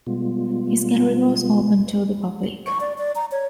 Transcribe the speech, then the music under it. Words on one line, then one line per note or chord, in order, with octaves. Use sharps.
His gallery was open to the public.
B2 G3 G#3 B3 F4
C#6
D5
D5
A#5
C#5